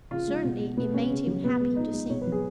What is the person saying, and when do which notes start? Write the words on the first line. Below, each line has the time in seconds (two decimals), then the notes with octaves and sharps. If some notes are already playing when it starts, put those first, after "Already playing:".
Certainly it made him happy to sing.
0.11 C#3 F4
0.28 G#3
0.44 B2
0.60 G#3
0.77 B2 B3
0.94 G#3 C#4
1.10 C#3
1.27 F#3
1.44 B2 B3
1.60 G#3 B3
1.76 A#2 D#4
1.93 G#3
2.10 B2 C#5
2.21 B4
2.27 F#3 G#4